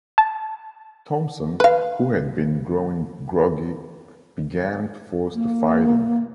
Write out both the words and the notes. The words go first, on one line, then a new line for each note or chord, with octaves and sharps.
Thompson, who had been growing groggy, began to force the fighting.
A5
B4 F5
A#3